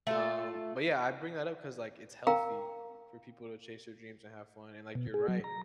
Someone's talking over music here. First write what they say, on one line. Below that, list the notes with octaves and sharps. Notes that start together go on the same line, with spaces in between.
um, but, yeah, I bring that up 'cause, like, it's healthy for people to chase their dreams and have fun, and, like, you're right,
A3 F4 A4
A#4 F5 G5 A#5
B2
G#4
F#3
A#5